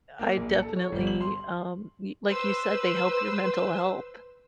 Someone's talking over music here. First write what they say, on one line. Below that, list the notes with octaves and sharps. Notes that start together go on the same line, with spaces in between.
I definitely, um, y like you said, they help your mental health.
A#3
A#1
C#7
A4
C#5
G1
F#7
C6
B4 C5 E6